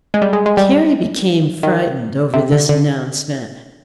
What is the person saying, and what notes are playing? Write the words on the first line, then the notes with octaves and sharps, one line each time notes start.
Carrie became frightened over this announcement.
G#3
G3
G#3
G#3
G3
D#3
C3
D3
D3